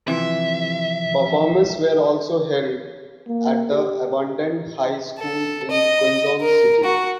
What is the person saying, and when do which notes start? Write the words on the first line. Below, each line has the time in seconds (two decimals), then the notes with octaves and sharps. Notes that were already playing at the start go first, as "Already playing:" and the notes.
Performances were also held at an abandoned high school in Quezon City.
0.08 C3 E3 F3 E5
3.28 A#3
3.71 G4
5.18 A4
5.70 D#5
6.41 A#4
6.84 F#4